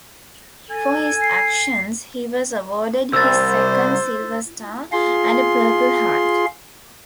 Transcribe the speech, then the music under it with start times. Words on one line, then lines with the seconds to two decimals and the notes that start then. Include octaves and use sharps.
For his actions he was awarded his second Silver Star and a Purple Heart.
0.70 A4 G#5
1.21 C7
3.13 C2 C5 E6 A6
4.92 F4 G#4 C6